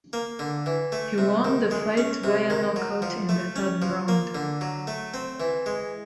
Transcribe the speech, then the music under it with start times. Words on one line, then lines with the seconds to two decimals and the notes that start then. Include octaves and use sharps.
He won the fight via knockout in the third round.
0.13 A#3
0.39 D3
0.66 E3
0.92 A3
1.18 C3
1.45 D#3
1.71 G#3
1.97 C#4
2.24 C3
2.50 D#3
2.76 F#3
3.02 F3
3.29 A3
3.56 C#4
3.82 F3
4.08 A#3
4.35 D3
4.61 F#3
4.87 A3
5.14 C4
5.40 E3
5.66 G#3